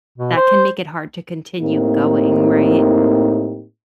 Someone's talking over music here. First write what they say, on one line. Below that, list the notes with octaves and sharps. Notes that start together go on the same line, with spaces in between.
that can make it hard to continue going, right?
B2
C5
A2 A#3 C4 D#4 G4